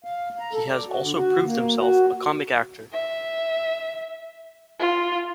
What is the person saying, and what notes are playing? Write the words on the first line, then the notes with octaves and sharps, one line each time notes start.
He has also proved himself a comic actor.
F5
A#5
A4
D5
F#4
D3
F#4
A#3
F#4
E5
F4